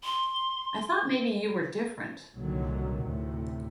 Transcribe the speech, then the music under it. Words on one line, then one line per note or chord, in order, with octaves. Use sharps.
I thought maybe you were different.
C6
C2 A#2 D3 D#3 F#3
D2 A2 C3